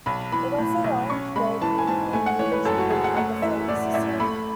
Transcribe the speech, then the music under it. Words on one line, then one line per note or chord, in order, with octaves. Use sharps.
It offered orange, grape, root beer, peach, and other flavors of soda.
B1 B5
E3 B5
A2
B1
C#4 C#6
G#3 B5
E3 A5
G#5
G#2 A5
A3 G#5
F#5
E3 C#5
B4
F#2 A4
F#4
F#1 G#4
F#5
A3 F#5
E3 E5
A2 D5
A1 E5
A3 B5